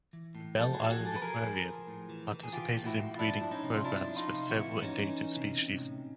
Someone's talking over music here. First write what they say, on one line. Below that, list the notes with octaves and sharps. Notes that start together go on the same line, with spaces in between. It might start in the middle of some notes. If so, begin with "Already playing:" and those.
The Belle Isle Aquarium participated in breeding programs for several endangered species.
E3
A2
F3 G4 A4
F#4 G#4
F3 A4
F#4 G#4
F3
G4 A4
B4
F3 G#4 A#4
F3
F3
A2
E3
E3
G#4
E3 F4 G4
A2
E4 F#4
A2
F4
F3 D4 E4
F3 D4
C#4 D#4
C3
F4
F3 D4 E4
F3
D#4 F4
C3
E3 E4 F#4
E3
C#4 D#4
E3
E3
C3
C3
A2